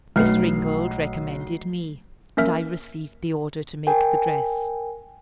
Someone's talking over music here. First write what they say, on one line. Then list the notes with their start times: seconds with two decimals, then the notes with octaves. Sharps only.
Miss Ringold recommended me, and I received the order to make the dress.
0.16 B1 F#3 A3 B4 C7
2.37 A#3 C#4 A#4 E5 F6
3.87 A#4 G5 G#5